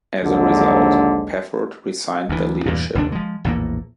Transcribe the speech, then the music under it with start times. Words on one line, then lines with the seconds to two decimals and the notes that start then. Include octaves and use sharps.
As a result, Pafford resigned the leadership.
0.23 A#1 D#2 D3 F3 F#3 G#3
2.29 D2 E3
2.66 E2 G2 A#2
2.95 F1 D#2 D3 D4
3.12 F3 G#3
3.44 A#1 E2 A2 A#3